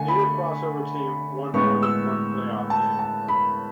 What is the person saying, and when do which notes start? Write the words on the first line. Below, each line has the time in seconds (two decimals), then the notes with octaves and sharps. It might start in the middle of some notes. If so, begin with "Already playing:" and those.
Neither crossover team won more than one playoff game.
Already playing: D3 A3 G#5
0.08 B5
1.54 A2 G#3 B3 C#6
1.82 E6
2.70 A5
2.99 A5
3.28 B5